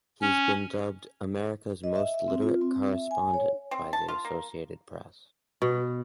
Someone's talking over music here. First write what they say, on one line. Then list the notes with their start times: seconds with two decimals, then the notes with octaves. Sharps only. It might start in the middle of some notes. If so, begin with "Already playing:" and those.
He has been dubbed "America's most literate correspondent" by the Associated Press.
0.22 C#4
1.84 D#5
1.96 E5
2.14 E5
2.28 C4
2.42 F4
2.61 C4
2.93 E5
3.11 G#5
3.34 C#5
3.71 C4
3.93 A5
4.08 F4
4.25 A#3
5.62 B2